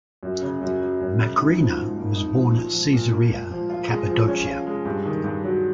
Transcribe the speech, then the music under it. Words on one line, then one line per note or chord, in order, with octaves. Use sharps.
Macrina was born at Caesarea, Cappadocia.
F#2
C#3
F#2
F#3
F#2
C#3
D#4
F3
G#2
A#3
D#4
F3
A#2
F3
A#2
A#3
A#2
F3
F4
G#3
F3
C#4
F4
G#3
G2
D#3
G2
F#3